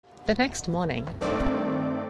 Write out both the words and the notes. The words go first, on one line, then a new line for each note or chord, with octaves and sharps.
The next morning.
G2 D#3 A3 C4 D5 D6